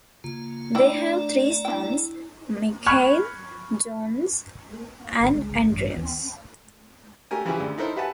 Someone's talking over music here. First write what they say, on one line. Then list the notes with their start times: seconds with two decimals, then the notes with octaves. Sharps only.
They have three sons, Mikael, Jonas and Andreas.
0.24 C#3 A#3 F4
0.75 A3 D4 E4 D5 D#5 G5 A#5
1.65 D4 E4 G5
2.87 B5 C#6 F6 F#6 G#6
5.21 G1 D3
5.34 C#2 G#3
5.51 G#1 C#2
5.70 A1 G2
5.94 D#2 E3 B3
7.31 A3 G4 A#4 G#5
7.45 C#3 E3 F3 E4 G4 G#4
7.60 D2
7.78 D#4 E4 A4 A#4 C5
7.96 G4 B4 E5 F#5 G#5 A5